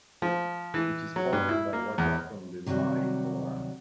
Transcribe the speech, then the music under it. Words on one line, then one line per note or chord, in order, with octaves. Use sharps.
It is powered by water from the Mai Khola.
F3
E3
F#3
G2
E4
A#3
E2
C3 D#3 F#3 G3 F#4